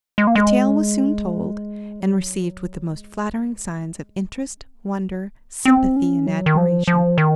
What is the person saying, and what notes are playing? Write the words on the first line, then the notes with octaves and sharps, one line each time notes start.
The tale was soon told, and received with the most flattering signs of interest, wonder, sympathy, and admiration.
G#3
A#3
G#3
F#3
G#3
C#4
C4
A#3
C4
C#4
F#3
D#3
F3
F3
D#3